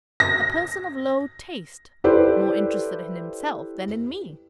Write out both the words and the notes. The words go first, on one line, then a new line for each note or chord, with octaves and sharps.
A person of low taste, more interested in himself than in me.
A#6
E4 G4 A4 B4 C5 D5